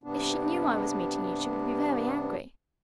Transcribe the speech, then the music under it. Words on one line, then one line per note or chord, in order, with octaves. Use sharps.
If she knew I was meeting you she would be very angry.
G2 C3 B3 D4